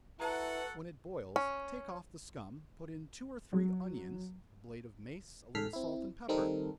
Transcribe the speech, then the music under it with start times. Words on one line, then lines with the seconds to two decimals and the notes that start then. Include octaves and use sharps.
When it boils, take off the scum, put in two or three onions, a blade of mace, a little salt and pepper.
0.20 E4 F#4 A4 B4 F#5 A5 A#5
1.36 C#4
3.53 F#3
5.55 A1 G#2 A4 F6 B6 C7
5.73 C4 E4
6.28 D#3 G3 C4 D#4 A4 A#4